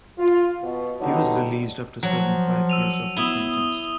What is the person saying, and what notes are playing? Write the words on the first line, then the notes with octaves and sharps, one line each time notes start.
He was released after serving five years of his sentence.
F4
B2
B2 D3 F#3 G3 D#4
F3 F#3
E6 D#7 F7
B3 E4 D#6 F7 G7